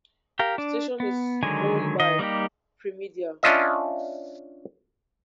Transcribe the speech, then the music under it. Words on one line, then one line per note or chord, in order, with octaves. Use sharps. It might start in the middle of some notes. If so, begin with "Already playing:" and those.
The station is owned by Primedia.
G4 A#4 F5
D4
B3
D3 D#3 F#3 G#3 G#5
D#3 D#5
G3 A#3 D#4 G4
C#4 D4 F4 D#5 E5